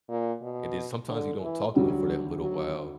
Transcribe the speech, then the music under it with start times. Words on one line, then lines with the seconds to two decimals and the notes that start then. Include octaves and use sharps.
and then sometimes you don't talk to 'em for that little while,
0.09 A#2
0.42 B2
1.09 D3
1.42 E3
1.75 D2 D3 F#3 G3
2.41 F#3